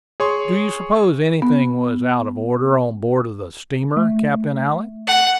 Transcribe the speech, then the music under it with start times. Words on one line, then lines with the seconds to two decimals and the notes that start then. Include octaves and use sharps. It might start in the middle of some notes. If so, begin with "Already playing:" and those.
"Do you suppose anything was out of order on board of the steamer, Captain Alick?"
0.20 G#4 C#5 C6 C#6
1.42 B3
3.97 A3
5.07 F#5